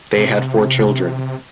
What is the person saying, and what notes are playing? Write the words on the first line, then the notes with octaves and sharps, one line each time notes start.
They had four children.
C3